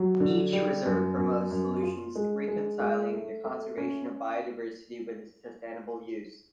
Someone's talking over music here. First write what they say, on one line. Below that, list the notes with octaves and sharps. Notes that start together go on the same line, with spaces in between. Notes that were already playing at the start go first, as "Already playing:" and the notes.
Each reserve promotes solutions reconciling the conservation of biodiversity with its sustainable use.
Already playing: F#3
D3
G3
F#2
F#2
F#2
F4
G#3
G#3
G#3
A3
A3
C#4